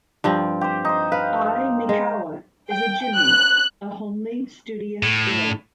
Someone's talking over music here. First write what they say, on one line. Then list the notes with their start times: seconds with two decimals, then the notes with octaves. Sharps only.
Ai Maekawa is a "jimi", a homely, studious girl.
0.24 G2 F3 C4
0.61 G4 C5
0.85 D#4 C5
1.12 B4 F5
1.89 G#3
2.71 G5
3.16 F#6
5.03 A2